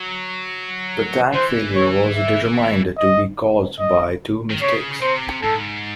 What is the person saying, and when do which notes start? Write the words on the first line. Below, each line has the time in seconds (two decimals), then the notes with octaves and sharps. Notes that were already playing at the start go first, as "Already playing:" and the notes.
The tank failure was determined to be caused by two mistakes.
Already playing: F#3
1.34 E3 C5
1.76 C#5
2.15 E5
2.97 D#5
3.79 D#5
4.50 D#3
4.61 C#3 C#5
5.02 C3 C5
5.43 G#2 A4